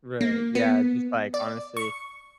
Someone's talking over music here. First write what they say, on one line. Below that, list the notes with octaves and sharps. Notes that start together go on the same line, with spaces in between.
Right, yeah, just, like, honestly,
A#3
B3
D5
C#6